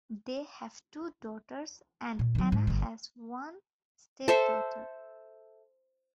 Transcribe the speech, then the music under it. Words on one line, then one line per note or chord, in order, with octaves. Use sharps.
They have two daughters and Anna has one stepdaughter.
A#2
D#3 F#3
G#2
G1 D3
A4 C5 E5